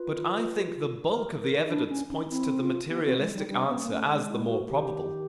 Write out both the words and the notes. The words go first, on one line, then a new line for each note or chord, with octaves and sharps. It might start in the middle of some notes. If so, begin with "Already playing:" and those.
But I think the bulk of the evidence points to the materialistic answer as the more probable.
Already playing: F4 B4
A#4
A#4
D#4
D4 E4
C#4 D4
C#4 D#4
C4 E4
F4
B3 G4
C4 F#4
G#3
G3 D#4
G3 D4
B3 C#4
A#3
C#4
A3
G#3 D4
E4
F#4
D#3 G4